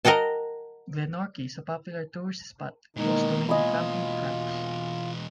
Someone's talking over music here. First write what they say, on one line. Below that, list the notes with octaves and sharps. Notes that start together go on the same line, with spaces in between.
Glenorchy is a popular tourist spot, close to many tramping tracks.
A#4 D#5 F#5 G5 A5
B2 D#3 E3 G#3 A#3 D#4
F4 D#5 G#5 B5